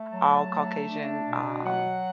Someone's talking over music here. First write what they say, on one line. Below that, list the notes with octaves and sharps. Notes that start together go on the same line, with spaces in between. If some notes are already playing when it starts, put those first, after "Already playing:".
all Caucasian, um,
Already playing: A3
F#3 A5
A3
D4
B2
F#3 F#5